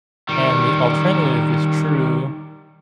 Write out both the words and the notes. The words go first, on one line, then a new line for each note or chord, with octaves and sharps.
And the alternative is true.
D#3 G3